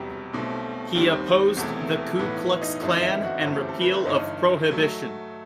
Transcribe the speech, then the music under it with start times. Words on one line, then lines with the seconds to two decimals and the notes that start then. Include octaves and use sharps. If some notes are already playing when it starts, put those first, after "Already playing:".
He opposed the Ku Klux Klan and repeal of Prohibition.
Already playing: E1 E2 C3 F#3 G3 G4
0.33 B1 B2 A3 C4
0.95 D#2 D#3 G3 C4
1.57 E1 E2 C3 E3 A3
2.19 B1 A2 E3 B3 B4
2.61 D#4 D#5
2.81 G1 F#2 E3 A3 C4 D#4 D#5
3.02 E4 E5
3.24 F#4 F#5
3.44 G1 F#2 E3 A3 C4
3.56 G4
3.69 A4
3.81 B4
3.94 C5
4.06 G1 G2 E3 D#4 D#5
4.71 F#3 A3